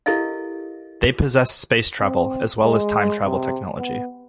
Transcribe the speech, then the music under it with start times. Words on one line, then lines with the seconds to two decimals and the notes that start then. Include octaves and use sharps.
They possess space travel, as well time travel technology.
0.06 E4 G4 A4 A#4 D#5 F5
2.00 C4
2.64 G#3
3.24 C3
3.78 B3